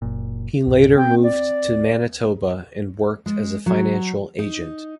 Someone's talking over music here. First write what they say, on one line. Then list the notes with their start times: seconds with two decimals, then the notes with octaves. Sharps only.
He later moved to Manitoba, and worked as a financial agent.
0.02 F#1 A#2
0.67 C#2 G#2 B2
0.96 C4 G5
1.23 D5
3.26 G#3
3.66 F#3
4.39 D#4